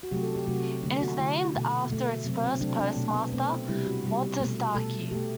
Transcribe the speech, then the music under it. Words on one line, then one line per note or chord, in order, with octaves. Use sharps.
It is named after its first postmaster, Walter Starkey.
F#4
C3 F#3 A3 G4
A4
G4
C3 F#3 A3 F#4
D3 A3 D4
F#4
D3 A3 E4
B2 A3
B2 A3
C3 F#3 A3 C4
C4
C4
C3 F#3 A3 D4
D4
B2 A3
B3
B2 A3 C4
C3 G3 E4
F#4
C3 G3
B2 A3
B2 A3 A4
B2 A3 G4